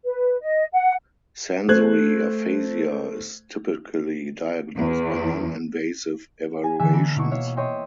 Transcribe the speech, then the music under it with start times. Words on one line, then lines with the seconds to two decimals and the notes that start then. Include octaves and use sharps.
Sensory aphasia is typically diagnosed by non-invasive evaluations.
0.03 B4
0.41 D#5
0.72 F#5
1.69 A3 C5 F#6 G#6
4.77 E2
6.64 G#5
6.79 D3 E3 E5 G#5 B6
6.93 A#3 A4 A#5 B5 D7
7.16 B2 A#3 E4 C#6
7.31 C#5 E5 F5
7.57 C#5 D#5 E5 G5 A#5 C6